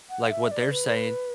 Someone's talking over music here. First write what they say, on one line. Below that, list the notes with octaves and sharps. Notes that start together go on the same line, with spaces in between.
like what they're saying,
F#5
E5
D5
B4